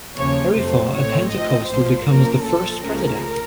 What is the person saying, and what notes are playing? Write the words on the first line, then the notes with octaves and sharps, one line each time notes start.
Harry Faugh, a Pentecostal, becomes the first president.
D#2 C#3 F3 A#3 C#5
F2 C3 F#3 A3 C5
A1 A2 A3 C4 C#5
A2 F3 C4 D#5
A#1 A2 F3 C5
F#2 F3 A#3 C#4 A#4
A#1 A#2 F3 A4
C#2 C#3 F3 A3 C#4 A#4